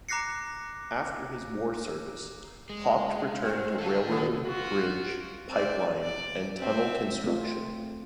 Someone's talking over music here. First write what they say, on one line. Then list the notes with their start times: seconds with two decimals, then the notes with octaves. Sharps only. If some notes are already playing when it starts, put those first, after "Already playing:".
After his war service, Haupt returned to railroad, bridge, pipeline, and tunnel construction.
0.09 A#5 D6 F#6 A#6 C7 C#7
2.69 G#3
3.42 C4 F#4
3.78 A3 D4 F4 A4
4.08 D#3 B3 G#4
4.46 F4 F#4
5.48 C4 D5
6.01 D5
6.59 C4 E5
7.24 A3 C4 F4